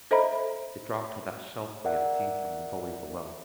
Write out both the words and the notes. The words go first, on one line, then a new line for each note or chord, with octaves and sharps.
It dropped to that shelf we had seen from the gully below.
A4 C5 D#5 E5 A#5 B5
A#4 D5 E5 F#5